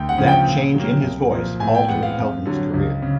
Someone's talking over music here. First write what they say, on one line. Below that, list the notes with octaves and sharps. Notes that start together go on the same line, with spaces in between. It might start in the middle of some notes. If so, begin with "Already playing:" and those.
That change in his voice altered Helton's career.
Already playing: D2 G5
F#5
C#3 F3
G5
A#2
F#3 A#3
C2
A#2 F3 A#3
A2 G#5
G5
E3 G#3 B3 F#5
F5
F2
D3 F#3
C#2
C#3